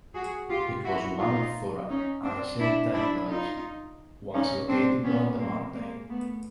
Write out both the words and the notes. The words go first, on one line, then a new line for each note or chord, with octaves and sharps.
It was one of four ancient temples once located on the mountain.
F#4 G#4
F4 G4
E4 F#4
D#4 F4
C#4 D#4
C4 D4
D4 E4
D4 E4
D#4 F4
C#4 D#4
C4 D4
B3 C#4
A#3 C4
G#3 A#3
A3 B3